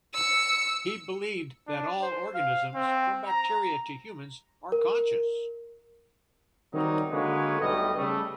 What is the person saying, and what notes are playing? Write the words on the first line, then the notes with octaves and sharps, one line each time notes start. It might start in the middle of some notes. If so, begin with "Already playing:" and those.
He believed that all organisms from bacteria to humans are conscious.
E6 C#7
D4
C5
F5
C4
A#5
A#4
D#3 F#3 G3 C4 D#4
D3 G#3 A#3 F#4 B4 C#5
B1 A2 G3 B4 D#5
C#3 G3 A3